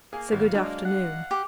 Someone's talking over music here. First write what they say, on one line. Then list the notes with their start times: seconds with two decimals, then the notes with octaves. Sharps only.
So good afternoon.'
0.13 A#3 G#4
0.32 G#1
0.53 F#3 G#3 D4
0.84 F5 F#5
1.31 G4